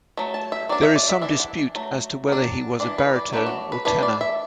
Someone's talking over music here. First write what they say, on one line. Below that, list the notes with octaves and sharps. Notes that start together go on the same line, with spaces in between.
There is some dispute as to whether he was a baritone or tenor.
F#3 A3
A5
E5
F#3 D4 D5
E5
D5
E5
E3 D4 E5
F#5
F#3 A3
F#3 D4
E3 D4 D5
B4
D5
F#3 A3 D4 B4
F#4
B4
E3 A3 D4 B4
D5
E5